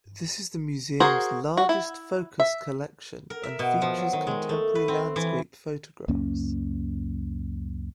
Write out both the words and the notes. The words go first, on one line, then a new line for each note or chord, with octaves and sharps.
This is the museum's largest focus collection and features contemporary landscape photographs.
F#4 G#4 A#4 C5
F#4
E4
E5
A#4
E5
B2
F3
F#3
D#3
G#3
A3
B4
C4
E3
C#2 F#2 A#3 C#4